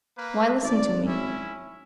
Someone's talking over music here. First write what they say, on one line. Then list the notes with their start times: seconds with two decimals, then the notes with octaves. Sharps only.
Why listen to me?
0.17 A#3 B4
0.63 G#1 D5
1.07 C#4 E4